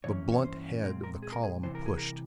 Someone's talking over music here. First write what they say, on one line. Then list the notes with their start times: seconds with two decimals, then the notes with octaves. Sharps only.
The blunt head of the column pushed.
0.04 G2 E3 A#3 C#4 C#5
0.32 C#5
0.44 C5
0.84 A#2 G#3 C4 A#4
1.03 A#4
1.23 G#4
1.32 A#4
1.43 G#4
1.63 C2 C3 E3 C5
1.75 A#4
1.86 G#4
1.98 A#4